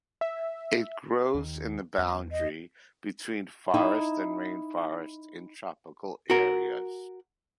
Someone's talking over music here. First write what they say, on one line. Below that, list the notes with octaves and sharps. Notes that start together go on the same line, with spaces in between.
It grows in the boundary between forest and rainforest in tropical areas.
E5
D#2 D#3
E2
D#5
D#4 E4
F#4 A#4